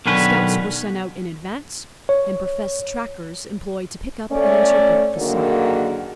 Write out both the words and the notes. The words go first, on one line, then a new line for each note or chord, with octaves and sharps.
Scouts were sent out in advance; and professed "trackers" employed to pick up, and interpret the "sign."
B1 D3 D#3 C#4 B4
C#5
A3 C#4 D5
F#2 D3 D#3 A#3 F#4 G#4